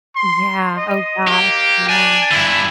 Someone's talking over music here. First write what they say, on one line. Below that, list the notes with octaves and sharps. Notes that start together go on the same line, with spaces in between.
Yeah, oh, gosh, yeah.
C6
D#5
A#3 G4
D4 G#5
G2 D3 E4